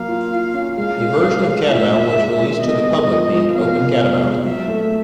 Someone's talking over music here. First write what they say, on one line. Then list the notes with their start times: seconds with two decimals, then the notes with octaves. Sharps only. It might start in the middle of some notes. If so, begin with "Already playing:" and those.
A version of Catamount was released to the public named OpenCatamount.
Already playing: F#3 A#3 F5
0.08 F4
0.31 F4
0.54 C#4
0.77 G#3 F5
1.00 G#3
1.23 C#4
1.47 G#3
1.69 A#2 E5
1.92 A#2
2.15 G#3
2.38 G#3
2.62 B3 D#5
2.84 G#3
3.08 F3
3.30 F3
3.53 B3 F5
3.77 C3
4.00 B3
4.22 G#3
4.45 F#3 E5
4.68 A3